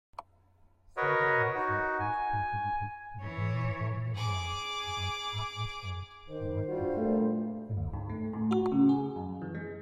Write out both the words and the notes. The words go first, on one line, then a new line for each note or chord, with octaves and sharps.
Several researchers contributed to the growing body of knowledge about atmospheric electrical phenomena.
F#4 A#4 B4 C#5 D#5
D#4 F#4
G#5
E3 C#5
G#4 D6
D#3 C5
G2 G3 F4 F#4
A#2 A3
D2
G#2
A3
A2
F#4
C#3
G#4
F#2
E3
G#3